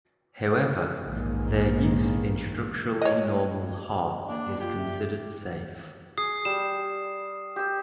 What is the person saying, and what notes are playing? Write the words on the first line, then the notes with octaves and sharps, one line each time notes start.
However, their use in structurally normal hearts is considered safe.
A#1 E2 G#2 D#3 G#3 A#3
C#5 D#5
D#5
A#3 D4
F4 G4
E5
G#4 D#6 C7
G3 E7
G4 E6